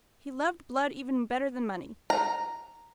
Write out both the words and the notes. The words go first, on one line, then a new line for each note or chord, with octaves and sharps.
He loved blood even better than money.
A#5